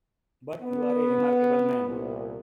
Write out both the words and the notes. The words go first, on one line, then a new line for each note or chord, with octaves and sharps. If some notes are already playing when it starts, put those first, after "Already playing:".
But you are a remarkable man.
B3
C2 A#2